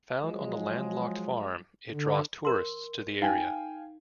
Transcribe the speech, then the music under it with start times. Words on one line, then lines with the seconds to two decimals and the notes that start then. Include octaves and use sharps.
Found on a landlocked farm, it draws tourists to the area.
0.23 F3 F#3 G#3
1.92 D3
2.45 A#4 C6
3.22 D#4 F5 G5 G#5